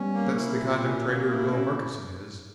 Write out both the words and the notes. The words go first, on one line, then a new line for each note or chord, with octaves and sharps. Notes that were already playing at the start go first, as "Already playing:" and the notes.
That's the kind of trader Bill Murkison is.
Already playing: G3 B3 C#4
A#3
E4
A#2
C#4
A#3
E4
C#4